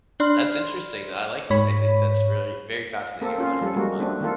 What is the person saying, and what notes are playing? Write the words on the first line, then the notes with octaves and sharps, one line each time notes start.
That's interesting, though, I like it, I think that's really very fascinating, I'm not even gonna lie.
D4 D5 B5 C6 F6
G#2 C#5 B5
A#3 C4 A4
C#4 F4
F3 G3 A4
G3 G#3 A#3 F#4
A3 C4 D4
D#3 A#3 F4 A4